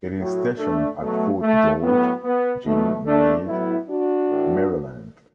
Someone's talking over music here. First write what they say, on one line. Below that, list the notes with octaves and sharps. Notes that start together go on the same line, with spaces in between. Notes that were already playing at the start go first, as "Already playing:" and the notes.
It is stationed at Fort George G. Meade, Maryland.
A2 F#3
A3 D4
B2 F#3 A3
A3
A2 F#3 B3
B3
B2 F#3 A3
A3 D4
A2 F#3 B3 E4
D4 F#4
A2 E3